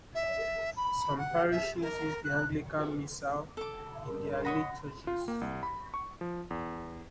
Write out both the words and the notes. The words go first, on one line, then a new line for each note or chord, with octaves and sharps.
Some parishes use the Anglican Missal in their liturgies.
E5
B5
F#5
E5
A#4
F#6
A4 D6
G2 A#4
C#5 D#5 F#5 B5 A#6
F4
A#3
C2
B5
C#6
F3
E2